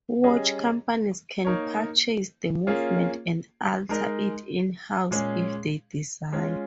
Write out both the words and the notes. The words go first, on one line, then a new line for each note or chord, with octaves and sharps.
Watch companies can purchase the movement and alter it in house if they desire.
G3 C#4 G#4 D#5
A#3 D#4 A#4 C#5
A#3 C#4 F4 G#4
G#3 D#4 A#4 D#5
A#2 G#3 C#4 G#4
G#3 C#4 F4